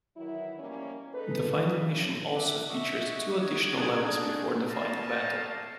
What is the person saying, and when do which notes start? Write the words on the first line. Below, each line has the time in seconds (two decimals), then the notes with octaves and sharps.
The final Mission also features two additional levels before the final battle.
0.16 D#3 E3 F#3 E4
0.59 B2 F3 G3 A#3 C#4
1.14 D#4 G#4 A4 B4
1.72 C#3
2.35 E5 F#5 D6
2.69 F#4 D#5 E5 C#6
3.43 G#6
3.78 A3 D4 D#4 G#4 F#5 A5
4.70 G3 A#3 C#5 D#5 F5 A5